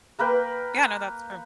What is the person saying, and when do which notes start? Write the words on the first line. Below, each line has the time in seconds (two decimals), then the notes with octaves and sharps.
Yeah. No, that's true.
0.19 A#3 A#4 B4 G5